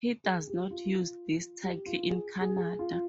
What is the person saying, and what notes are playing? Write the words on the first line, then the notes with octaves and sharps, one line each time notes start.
He does not use this title in Canada.
G#4
G4
F4
G4
F4
G#4
G#4
G#4
F4
F4